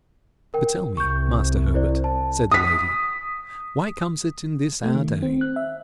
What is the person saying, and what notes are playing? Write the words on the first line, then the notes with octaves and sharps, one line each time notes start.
'But tell me, master Herbert,' said the lady, 'why comes it in this our day?
A#4 G5
C2 C#6 G6
E4 C5 D5
A5
D#6 B6
A3
D#3
C4
F#6
E5